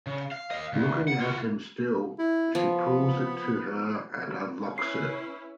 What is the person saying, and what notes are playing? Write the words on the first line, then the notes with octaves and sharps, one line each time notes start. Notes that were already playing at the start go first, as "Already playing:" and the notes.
Looking at him still, she pulls it to her and unlocks it.
C#3
F5
D#5 F5
D2
F#5
F4 F#4
E4
F3 B3
C#4 E4 B4 C7